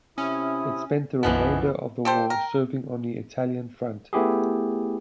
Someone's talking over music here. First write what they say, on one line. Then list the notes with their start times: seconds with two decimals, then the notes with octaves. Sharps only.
It spent the remainder of the war serving on the Italian Front.
0.18 C3 C#4 E4 D#6
1.23 B1 F#2 E3 F3 B3 D#5 G#5 A5
2.05 G4 A4 C5 G5
2.30 A#4
4.13 A3 B3 E4 G4 G#4